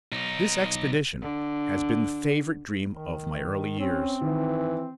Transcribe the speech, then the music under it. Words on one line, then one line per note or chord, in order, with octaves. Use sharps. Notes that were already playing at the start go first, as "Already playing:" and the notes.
This expedition has been the favourite dream of my early years.
B1 D#4
D3
D#3
C4 C#4
D#3 E3